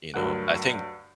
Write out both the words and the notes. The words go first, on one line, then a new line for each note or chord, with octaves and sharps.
You know, I think,
D2 G2 F#3 A#4 F#5 F#6